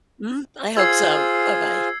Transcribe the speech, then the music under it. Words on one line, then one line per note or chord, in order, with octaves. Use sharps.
Mm, I hope so. Bye-bye.
F4 G#4 C5 E6 G#6 C7